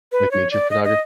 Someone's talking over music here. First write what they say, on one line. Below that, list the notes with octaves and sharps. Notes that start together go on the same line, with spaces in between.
Like nature photograph
B4
C#5
D5
D#5
D#5